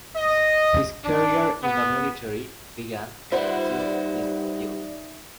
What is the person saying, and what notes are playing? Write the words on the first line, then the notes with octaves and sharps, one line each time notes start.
His career in the military began since his youth.
D#5
D4
B3
G3 D#4 F4 B4 C5 D5 E5 F#5
D5